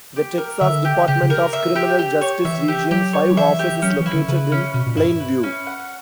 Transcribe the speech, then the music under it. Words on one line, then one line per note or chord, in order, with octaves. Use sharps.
The Texas Department of Criminal Justice Region Five office is located in Plainview.
G4
A#4
D3 E5
G4
C#3 G4
C#3
A#4
E5
G4
G4
C#5
E3 E5
G4
F#3 G4
C#5
F#3
E3 E5
G4
F#3 C#4
E3
E4
D3
C#3 B4
C#4
B2 C#4
A#2
G2 E4
B4
C#4
F#5